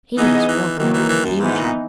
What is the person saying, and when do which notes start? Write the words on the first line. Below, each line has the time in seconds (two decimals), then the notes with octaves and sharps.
He was welcomed with effusion.
0.17 E3 B3 D#4 G#4 D#5
0.48 E3
0.79 D#3 E3 F#3 A#3
0.94 E3
1.09 E3
1.25 F#2
1.40 G#2 E3 B3 D#4
1.59 A#2